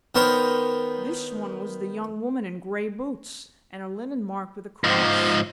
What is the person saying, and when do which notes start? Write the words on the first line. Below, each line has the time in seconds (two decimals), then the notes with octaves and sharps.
'This one was the young woman in grey boots, and her linen marked with a cross.
0.15 D#3 B3 A#4 C5 C#5 C6
4.84 G#2 F3